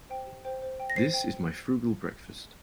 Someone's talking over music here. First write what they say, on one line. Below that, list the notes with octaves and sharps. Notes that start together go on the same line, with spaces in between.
This is my frugal breakfast.
C5 G5
G4
C5 G5
C5
G5
A#6
C5 C7
G5